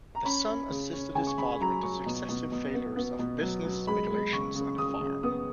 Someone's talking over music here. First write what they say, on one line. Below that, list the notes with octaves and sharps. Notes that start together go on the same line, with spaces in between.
The son assisted his father in the successive failures of business, speculations and farm.
A#5
C#4 B5
C#4
C#3
C#4
C#3 G#5
C#6
C#3 B5
F#3 A#5
F#3 C#6
B2
B2
B2
B3
B3
B2
F#3
F#3
G#3 B5
G#3
C#3 C#6
C#3
C#3 D#6
C#3
B3 D#6